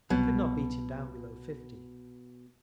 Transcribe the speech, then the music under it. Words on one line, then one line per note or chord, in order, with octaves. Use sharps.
We could not beat him down below fifty....
C2 B2 F#3